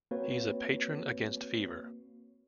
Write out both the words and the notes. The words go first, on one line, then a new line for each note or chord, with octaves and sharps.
He is a patron against fever.
A#3 C4 F#4 B4 C#5